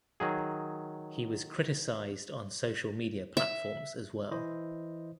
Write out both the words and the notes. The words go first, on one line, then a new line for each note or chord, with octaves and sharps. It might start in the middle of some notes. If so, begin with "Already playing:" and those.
He was criticised on social media platforms as well.
D#3 F#3 G#4
E5
E3 E4 C5 D#5